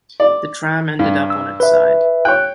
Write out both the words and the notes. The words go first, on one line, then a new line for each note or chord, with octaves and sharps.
The tram ended up on its side.
D5
G2
E6
B4 E5
C#5 G5 F#6